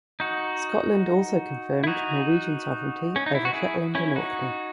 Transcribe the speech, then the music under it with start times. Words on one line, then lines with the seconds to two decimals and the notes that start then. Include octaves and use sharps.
Scotland also confirmed Norwegian sovereignty over Shetland and Orkney.
0.20 D#4 F#4
1.84 E4
1.87 D#4 F#4
3.16 C#4
3.26 D#4
3.35 E4
3.45 F#4
3.53 E4 G#4
3.95 C#4 E4
4.16 D#4 F#4